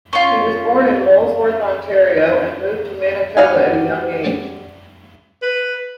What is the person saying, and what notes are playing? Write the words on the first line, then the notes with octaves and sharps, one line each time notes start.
He was born in Molesworth, Ontario, and moved to Manitoba at a young age.
C#4 F4
G3 F#4 F5 G#5
B4